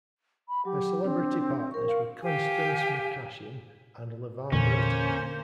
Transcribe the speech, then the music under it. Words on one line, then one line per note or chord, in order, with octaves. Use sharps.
Her celebrity partners were Constance McCashin and LeVar Burton.
B5
F#3 G4
C4 D4
A#4 C#6
F5
G4 F5 G#5
E2 A#2 D3 A#3 C#4 C5